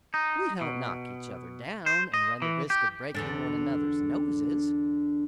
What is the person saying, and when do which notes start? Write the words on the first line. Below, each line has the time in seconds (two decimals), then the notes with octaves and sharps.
"We don't knock each other down and run the risk of breaking one another's noses."
0.14 D#4
0.61 B2
1.86 C5
2.14 D#5
2.42 E3
2.70 G4
3.15 E2 D3 D4